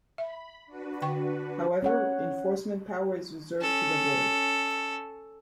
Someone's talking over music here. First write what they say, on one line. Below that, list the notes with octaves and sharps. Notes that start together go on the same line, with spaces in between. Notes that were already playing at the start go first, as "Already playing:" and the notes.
However, enforcement power is reserved to the Board.
E5 B5
D4 F#4 B4
D3 G5 C#6
C#4 C#5 F#5
C#4 A4